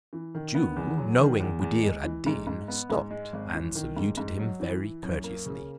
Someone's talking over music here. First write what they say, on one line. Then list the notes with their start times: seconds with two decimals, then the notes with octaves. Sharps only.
The Jew, knowing Buddir ad Deen, stopped, and saluted him very courteously.
0.13 E3
0.35 D#3
0.55 B3
0.76 E2
0.98 F#3
1.20 D#3
1.40 E2
1.61 E2
1.83 G#3
2.04 E3
2.26 G#2
2.47 G#2
2.68 B3
2.90 G#2
3.11 G#3
3.33 G#1
3.53 E3
3.75 D#3
3.97 G#2
4.17 G#2
4.39 F#3
4.60 E3
4.81 E4
5.03 F#2
5.24 A#3
5.46 C#3